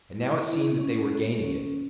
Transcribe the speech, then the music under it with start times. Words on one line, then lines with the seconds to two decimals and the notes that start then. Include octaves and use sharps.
And now it seemed that they were gaining it.
0.17 E4
0.48 E4
0.80 C#4
1.12 A4
1.43 C#4
1.74 A4